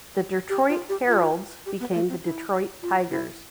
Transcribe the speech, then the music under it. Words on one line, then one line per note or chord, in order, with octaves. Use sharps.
The Detroit Heralds became the Detroit Tigers.
G4
F4
G4
F4
G4
B3
A3
C4
E4
F4
E4